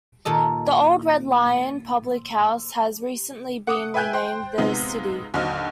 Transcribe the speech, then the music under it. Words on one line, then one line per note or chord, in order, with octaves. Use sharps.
The old "Red Lion" public house has recently been renamed "The Stiddy".
A#2 D#3 A4 D#5
F#5 D6 D#6
B4 E5 G5 G#5 F#6 G6
C5 G5 C6
C3 G#3 B3 D#4 F4
D#2 D3 F#3 C5 D#5 F6